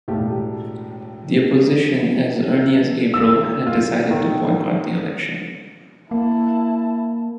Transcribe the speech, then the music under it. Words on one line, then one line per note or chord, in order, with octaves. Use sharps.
The opposition, as early as April, had decided to boycott the election.
E1 A2 G4 F5 A5
E6
F4
D#3
A#3 E4 A5